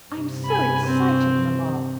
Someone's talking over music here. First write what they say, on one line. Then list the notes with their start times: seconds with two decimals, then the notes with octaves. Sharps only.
"I'm so excited, mamma."
0.10 G2 C3
0.45 G#5 B5
0.85 C4